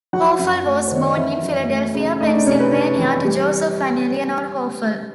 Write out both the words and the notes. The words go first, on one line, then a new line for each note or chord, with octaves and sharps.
Hoeffel was born in Philadelphia, Pennsylvania, to Joseph and Eleanore Hoeffel.
F#3 F#4 F#5
F#2
A3
C5
D#3 C#5
D5
D#5
E3 E4 E5
F#2
A3
C#3
A3 D#4 D#5
D4 D5
C3 C#4 C#5
B4
C#4 D4 C#5
E3
G3